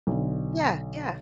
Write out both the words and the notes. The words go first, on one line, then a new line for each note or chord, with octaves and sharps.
Yeah, yeah.
B1 D3